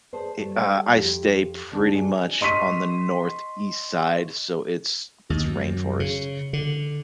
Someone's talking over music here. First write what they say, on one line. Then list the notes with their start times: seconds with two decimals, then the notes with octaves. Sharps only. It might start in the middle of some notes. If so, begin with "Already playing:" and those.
it uh, I stay pretty much on the northeast side, so it's it's rainforest.
0.13 G#4 B4 C5 D5 A5
0.38 G3 A3
0.94 F2 G4
1.72 D2 D4
1.93 F#4 G#4 A4 D5 G#5
2.41 D#5 C6 C#6 B6 D#7
5.30 D#2
5.45 F#2
6.00 C#3
6.53 D3